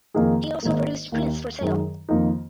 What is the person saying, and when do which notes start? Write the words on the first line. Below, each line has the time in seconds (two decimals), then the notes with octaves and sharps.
He also produced prints for sale.
0.14 F2 D#3 A#3 D#4 G#4
0.62 G#1 G#2 D#3 A#3
1.12 D#2 D#3 A#3
1.61 F#2 D#3 G#3
2.09 F2 D#3 A#3 D#4